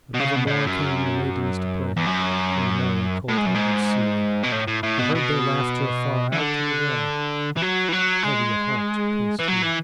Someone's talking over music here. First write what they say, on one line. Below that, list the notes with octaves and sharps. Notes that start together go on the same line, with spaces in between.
But never more came the maidens to play From the merry cold-hearted sea; He heard their laughter far out and away, But heavy at heart paced he.
B2
C#3
B2
B2
A2
F#2
E2
F#2
A2
G#2
F#2
G#2
B2
A2
A2
A2
B2
B2
E3
D3
E3
F#3
E3
F#3
G#3
E3
F#3
E3